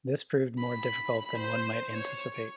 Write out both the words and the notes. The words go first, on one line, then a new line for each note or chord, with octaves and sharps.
This proved more difficult than one might anticipate.
B5
C5
C#5